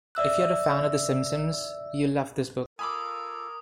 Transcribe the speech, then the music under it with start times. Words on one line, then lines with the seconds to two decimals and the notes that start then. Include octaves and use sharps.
If you're a fan of "The Simpsons", you'll love this book.
0.15 D5 E5 E6 F#6
2.79 F4 A4 A#4 F5 G#5 B5 D6 D#6